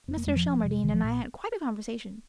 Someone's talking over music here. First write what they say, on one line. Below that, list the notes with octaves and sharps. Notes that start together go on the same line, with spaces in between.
Mr. Shelmardine and I had quite a conversation.
F1 C4
A#3
F2 G#3
F3
F1
C3
A#1 D#3
F3
A#2